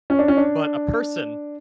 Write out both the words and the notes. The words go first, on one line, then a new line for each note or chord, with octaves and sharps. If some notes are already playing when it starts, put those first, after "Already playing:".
but a person
C#4
D4
C#4
D4